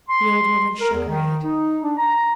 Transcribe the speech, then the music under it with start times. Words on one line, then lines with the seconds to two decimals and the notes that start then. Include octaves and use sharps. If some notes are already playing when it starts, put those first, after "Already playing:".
The old woman shook her head.
0.09 C6
0.80 A#4
0.93 E2
1.08 D#3
1.44 D#4
1.83 D4
1.97 A#5